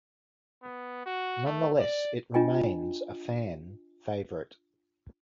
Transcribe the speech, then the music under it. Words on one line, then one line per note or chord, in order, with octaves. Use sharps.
Nonetheless, it remains a fan favorite.
B3
F#4
A3
D5
D4 F4 D#5 G5 G#5